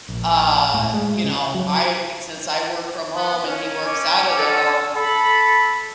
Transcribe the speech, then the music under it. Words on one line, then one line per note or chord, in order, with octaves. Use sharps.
uh, you know, I since I work from home and he works out of the home,
A#1
A2
G#3
C#3
F#3
B3
C#4
D6
A4
A4 B5